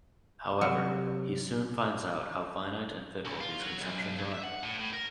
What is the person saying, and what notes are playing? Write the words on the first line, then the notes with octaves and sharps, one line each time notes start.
However he soon finds out how finite and fickle these conceptions are.
C3 F#3
B1
F4
F#3
B1
G2
E5
F#5
A2
A2
A#4